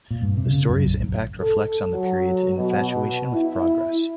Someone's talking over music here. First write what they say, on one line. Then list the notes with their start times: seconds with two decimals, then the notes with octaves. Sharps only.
The story's impact reflects on the period's infatuation with progress.
0.11 A#2
0.22 G2
0.37 C3
0.50 C#3
0.69 F#2
0.84 A#1
1.40 A4
1.93 F#3
2.57 B2
3.34 E4